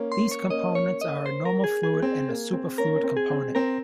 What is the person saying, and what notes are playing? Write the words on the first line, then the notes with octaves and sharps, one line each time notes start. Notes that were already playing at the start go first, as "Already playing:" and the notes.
These components are a normal fluid and a superfluid component.
Already playing: A#3 C#4
C6
C#5
A#3 C#4 D#5
C#5
D#5
C5
A#4
G#4
G#4
C4
A#3
C4
A#3 C#4 A#4
C#4
C4
G#4
C4
C4 A#4